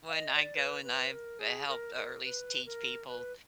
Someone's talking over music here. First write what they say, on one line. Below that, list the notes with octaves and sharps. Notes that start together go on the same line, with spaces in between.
when I go and I've helped or, at least teach people
F5
D#5
D5
B4
B4
A#4
G#4
A#4
A#4
B4
A#4
B4